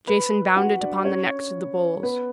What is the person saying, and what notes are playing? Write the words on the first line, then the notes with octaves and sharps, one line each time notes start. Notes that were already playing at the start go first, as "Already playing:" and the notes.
Jason bound it upon the necks of the bulls.
B4 B5
F#4 F#5
D4 D5
C#4 C#5
B3 B4